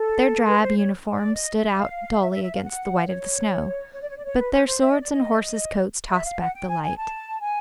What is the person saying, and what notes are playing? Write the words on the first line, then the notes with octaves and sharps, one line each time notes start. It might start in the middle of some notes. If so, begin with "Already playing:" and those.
Their drab uniforms stood out dully against the white of the snow, but their swords and horses' coats tossed back the light.
Already playing: A4
A#4
B4
C5
C#5
D5
D#5
E5
F5
E5
E5
E5
F5
F#5
C#5
C#5
D5
C#5
D5
C#5
B4
C5
C5
E5
D#5
D5
D#5
E5
F5
F#5
G5
G#5
G#5
A5
G#5